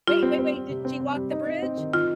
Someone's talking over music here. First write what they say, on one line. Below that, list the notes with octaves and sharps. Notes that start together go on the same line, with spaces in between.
Wait, wait, wait, did she walk the bridge?
G3 F4
C4
C4
C4
C3
C4
C4
G3
D#4
C4
C4
D#3
D#3 F4